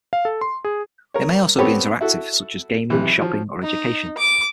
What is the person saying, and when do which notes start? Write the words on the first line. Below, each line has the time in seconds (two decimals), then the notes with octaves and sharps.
It may also be interactive, such as gaming, shopping, or education.
0.13 F5
0.25 A4
0.41 C6
0.64 G#4
1.14 A#4 C#5
1.58 B3 C4 G4 A4 B4 C#5
2.01 E4 F#4 A4
2.90 B1 C3 E3
3.17 F3 F#3
3.63 D#4
4.17 D6